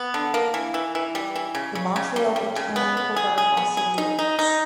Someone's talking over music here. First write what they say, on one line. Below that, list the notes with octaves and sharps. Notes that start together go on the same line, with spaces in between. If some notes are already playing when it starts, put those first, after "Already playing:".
The Montreal Botanical Garden also reopens.
Already playing: B3
D3
A#3
E3
E3
E3
G3
E3
C#3
C#3
C#3
G3
G3
C#3
B3
B3
G#4
G#4
B3
G#4
D#4
D#4
D#4